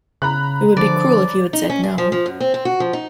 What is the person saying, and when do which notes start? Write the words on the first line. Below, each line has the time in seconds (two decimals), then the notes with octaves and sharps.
It would be cruel if you had said no.
0.22 C#3 A#5 B5 F#6
0.77 D3 F3 D5
1.53 D#4
1.70 C#4
1.83 D4
1.98 F3
2.12 F3
2.26 F#2
2.40 C4
2.54 C4
2.65 F#4
2.80 F3
2.93 D#4